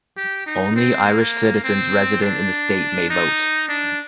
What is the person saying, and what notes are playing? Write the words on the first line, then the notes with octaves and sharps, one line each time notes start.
Only Irish citizens resident in the state may vote.
G4
D#4
C4
A#3
C4
D4
D#4
D4